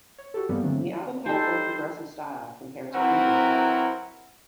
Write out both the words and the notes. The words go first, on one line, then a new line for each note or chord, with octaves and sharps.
The album had a more progressive style compared to previous albums.
C#5
F#4 G4 A4
G2 G3 G#3 A#3 B3
D3 E3 F#3 A3 C4 D4
G3 D#4 A4 C5
F#3 C4 E4 F#4 A#4 B4